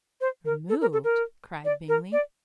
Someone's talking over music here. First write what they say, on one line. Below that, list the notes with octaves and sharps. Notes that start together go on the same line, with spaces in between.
"Removed!" cried Bingley.
C5
A#4
A4
A#4
A4
A#4
D5
A#4
D5